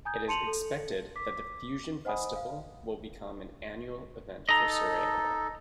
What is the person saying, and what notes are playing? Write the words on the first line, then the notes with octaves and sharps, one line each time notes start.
It is expected that the Fusion Festival will become an annual event for Surrey.
G#5 A#5 D#6 G6 G#6
A5 C6 C#7 D#7 F7 F#7
A4
D6 B6
C5 D#5 F#5 G#5 B5 D#6
F5
D#4 A4 D#5 A#5